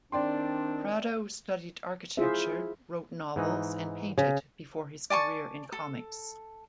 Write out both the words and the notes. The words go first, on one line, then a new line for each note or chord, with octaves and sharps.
Prado studied architecture, wrote novels and painted before his career in comics.
D#3 C4 D4 D5 G5 C6
E4 F4 G#4 C5 E5
G#2 E3 D#4
C#3
D5 G#5 A5 C#6
A4